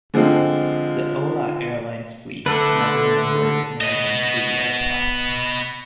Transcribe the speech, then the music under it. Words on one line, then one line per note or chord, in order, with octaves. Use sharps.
The Hola Airlines fleet never numbered more than three aircraft.
D3 F3 G#3 C4
D3 A3 D4 A4 B4
B3 D#5